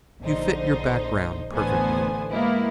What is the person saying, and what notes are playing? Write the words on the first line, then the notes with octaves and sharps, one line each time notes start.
"You fit your background perfectly."
A#1 D3 D#4 C5
A1 D3 A3 B3 C5 G#5
G#3 A#3 B3 E4